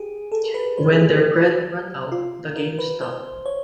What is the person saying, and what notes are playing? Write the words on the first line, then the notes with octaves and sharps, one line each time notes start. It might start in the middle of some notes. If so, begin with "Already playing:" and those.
When their credit ran out, the game stopped.
Already playing: G4 G#4
A4
A#4
B4
C5
G#4
G4
F4
A#4
B4
C5
C#5